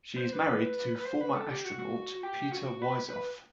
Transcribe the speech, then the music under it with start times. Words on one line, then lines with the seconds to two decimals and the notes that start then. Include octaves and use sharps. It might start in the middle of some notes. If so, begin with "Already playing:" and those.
She is married to former astronaut Peter Wisoff.
0.18 C5
0.32 B4
0.96 B4
1.05 C5
1.21 B4
1.34 A4
1.50 G4
1.65 F#4
1.79 F#4
2.23 G4
2.52 F#4
2.82 B4
3.10 B4